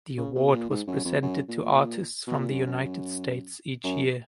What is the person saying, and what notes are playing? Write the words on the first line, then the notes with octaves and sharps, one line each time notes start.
The award was presented to artists from the United States each year.
C#3
B2
A#2
G#2
F#2
F2
F#2
A#2
B2
A#2
G#2
F#2
F#2
F#2